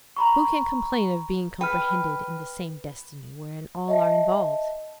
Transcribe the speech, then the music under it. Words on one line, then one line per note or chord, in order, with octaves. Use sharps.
Who can complain of being comprehended in the same destiny, wherein all are involved?
A#5 B5 C#6
B4 G5 F6
D#5 E5 A5